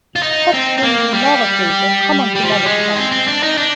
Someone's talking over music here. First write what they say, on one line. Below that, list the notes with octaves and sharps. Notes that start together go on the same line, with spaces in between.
Hot Springs and lava caves are common to Modoc County.
F4
D#4
C4
C4
A#3
G3
G3
F3
G3
G#3
C4
C4
D4
D#4
D4